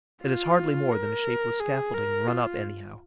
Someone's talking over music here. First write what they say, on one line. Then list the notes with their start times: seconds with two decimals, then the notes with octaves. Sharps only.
It is hardly more than a shapeless scaffolding, run up anyhow.
0.23 F4
0.92 A#4
1.60 G#4
1.94 A#4
2.28 F4